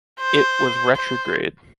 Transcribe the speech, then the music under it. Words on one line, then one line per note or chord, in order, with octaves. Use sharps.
It was retrograde.
C5
C5